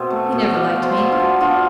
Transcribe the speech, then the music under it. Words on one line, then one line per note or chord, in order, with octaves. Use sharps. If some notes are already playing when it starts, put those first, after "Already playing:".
He never liked me.
Already playing: B2 C4 E5 G#5
A3
B2
B2 D5 F5
B2
C5 E5
B2
D4 F4
B2
B2 D4 F4